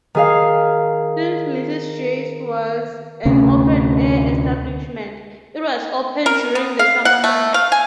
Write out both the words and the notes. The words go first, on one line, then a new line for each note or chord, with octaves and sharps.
Since Mrs. Jay's was an open-air establishment, it was open during the summer months.
D#3 G#4 F5
D2 C3 C#4
A#4
B3
F5
F#5
A3
F5
G#5